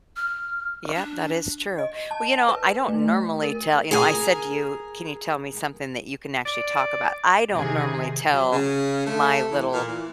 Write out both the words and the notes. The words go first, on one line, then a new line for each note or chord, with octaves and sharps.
Yep, that is true. Well, you know, I don't normally tell you know, I said to you, "Can you tell me something that you can actually talk about?" I don't normally tell my little
F6
D4
D#5
A5
B4
A3
A#4
G#4 A#4 G#5
D5
C3 D#3 G#4
F#3
C#3
A3
E3
A#2
E3